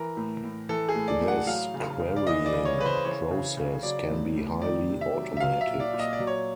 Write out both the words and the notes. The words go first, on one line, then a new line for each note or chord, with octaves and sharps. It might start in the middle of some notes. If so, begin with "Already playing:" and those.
This querying process can be highly automated.
Already playing: E3 A#4
A2
A2
E3 A4
G#4
A2
D5
A2
F#5
F#3 F5
C#3
C#3
D5
E3 D#5
D5
C#3
C#5
C#3 B4
C5
E3 C#5
C#3
C#3
F#3 D5
A2
A2
D#3 D5
C3
E5
F#3
E5
F#3 F5
E5
A#2
D5
A#2
D#5
D5
F#3
C#5